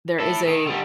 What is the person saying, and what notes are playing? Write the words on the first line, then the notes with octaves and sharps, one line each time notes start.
There is a
E4 A4
D#3
D3 G3